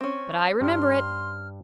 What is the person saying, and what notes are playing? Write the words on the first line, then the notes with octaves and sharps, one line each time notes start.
But I remember it.
C4 C#4 C#6
G2 G3 C6 F6